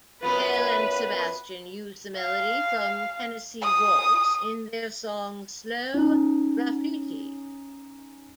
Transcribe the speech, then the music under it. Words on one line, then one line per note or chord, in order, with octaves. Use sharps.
Belle and Sebastian used the melody from "Tennessee Waltz" in their song "Slow Graffiti".
F#2 B3 F4 B4
F5
D#6
C#4 D#4